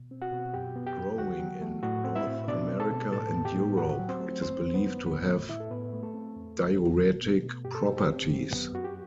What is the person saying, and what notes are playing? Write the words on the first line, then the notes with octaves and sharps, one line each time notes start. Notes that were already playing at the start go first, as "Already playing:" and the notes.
Growing in North America and Europe, it is believed to have diuretic properties.
Already playing: B2
C4
F#4 F#5
B2
F#2 G4 G5
B3
G4 G5
F#2
D2 F#4 F#5
F#3
A3
A2 F#4 F#5
C4
E4 E5
A2
B2 D4 D5
C4
A4 A5
B2
A2 A4 A5
B3
G4 G5
A2
D2 F#4 F#5
F#3
C4 C5
A3
F#2 C4 C5
B3
B3 B4
F#2
A2 B3 B4
A3
A2 E4 E5
A4
A2 B3 B4
A3
A3 A4
C4
E2
G3
E2
B2
B3
B2
G2 G4
A4
G3 G4
G4
C4
F#2
B3
F#2 F#4
G4